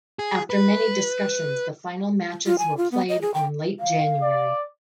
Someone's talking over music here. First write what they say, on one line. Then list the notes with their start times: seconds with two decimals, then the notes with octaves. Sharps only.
After many discussions the final matches were played on late January.
0.19 G#4
0.50 B4
2.46 F4
2.58 G#5
2.77 F4
2.92 B3
3.09 D#5
3.21 G#4
3.34 G5
3.80 F5
4.23 D5